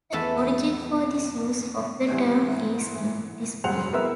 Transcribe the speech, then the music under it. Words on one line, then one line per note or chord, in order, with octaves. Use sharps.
The origin for this use of the term is in dispute.
E2 A3 A4 B4 A5
D2 E3 G3
G#2 E3
E3
F1 F#3 G#4 C5 F#5 F7
G#3 B3 E4 A#4 B4 E5